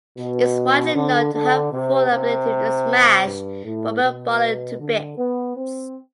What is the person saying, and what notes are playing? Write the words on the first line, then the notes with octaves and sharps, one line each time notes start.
Is widely known to have full ability to smash Robert Barlow to bits.
B2
D3
D3
C3
C3
G2
A2
B2
D3
B3
C4